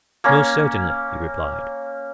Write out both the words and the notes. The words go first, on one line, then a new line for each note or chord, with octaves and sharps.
Most certainly, he replied.
A#3 C#4